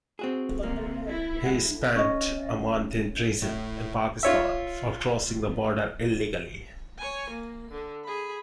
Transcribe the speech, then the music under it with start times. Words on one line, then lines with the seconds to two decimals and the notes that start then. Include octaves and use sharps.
He spent a month in prison in Pakistan for crossing the border illegally.
0.19 C4 F#4 G#4
0.63 C3 A#3
1.09 E4
1.45 G#3
1.96 C#4 D#5
3.42 A2
4.23 F4 C#5 E5
6.98 C#5 G#5
7.30 A#3
7.71 D3
8.04 G#4 B5